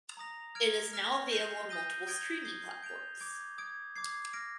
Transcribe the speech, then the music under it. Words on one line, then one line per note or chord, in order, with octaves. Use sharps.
It is now available on multiple streaming platforms.
A#5 D#6 A#6 F7
F6 G#6 D7 F7
F6 A#6 D7 F7
G6 C7 F7
D#6 G6 A#6 D#7 G7
D#6 G#6 D7 G7
D#6 G#6 C7 G7
G6 D7 F7
D6 G#6 D7
D#6 G#6 D7
D6 G#6 C7
F6 A#6 D7